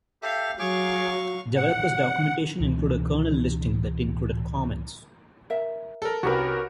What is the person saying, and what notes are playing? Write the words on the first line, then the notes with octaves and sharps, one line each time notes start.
Developer's documentation included a kernel listing that included comments.
G4 A4 E5 F5
F#3 G#4 F5 C#6 D6
F#5
C#2 B2 E3
A#4 E5
A4 A#4
C2 C#4 D#4 F#4 G4 A#4 B4